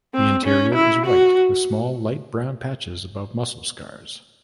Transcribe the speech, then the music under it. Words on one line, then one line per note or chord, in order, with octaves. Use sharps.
The interior is white with small light brown patches above muscle scars.
C4
C#4
E4
F#4